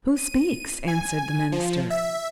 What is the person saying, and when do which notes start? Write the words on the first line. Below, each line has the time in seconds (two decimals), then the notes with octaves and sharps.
"Who speaks?" answered the minister.
0.16 D#7
0.88 G#5
1.52 F3
1.90 E5